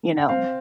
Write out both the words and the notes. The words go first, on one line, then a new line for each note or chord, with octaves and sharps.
You know?
G5
C4 F5